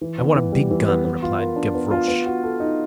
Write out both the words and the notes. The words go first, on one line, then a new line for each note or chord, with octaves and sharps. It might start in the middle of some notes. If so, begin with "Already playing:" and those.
"I want a big gun," replied Gavroche.
E3
B3
E3
G3
E3
B3
B3
F4
A#4
D4
B3
F4
B3
F#4
A4
D#4